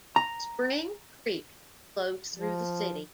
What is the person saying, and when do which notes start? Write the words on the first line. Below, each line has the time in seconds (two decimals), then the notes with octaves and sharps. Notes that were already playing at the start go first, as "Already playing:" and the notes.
Spring Creek flows through the city.
0.16 A#5
2.34 F3